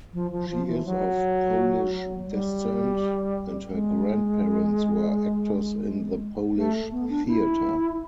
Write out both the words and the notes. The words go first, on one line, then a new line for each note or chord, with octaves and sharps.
She is of Polish descent, and her grandparents were actors in the Polish theater.
F3
F3
F3
E3
F#3
G3
G#3
A3
B3
D4
E4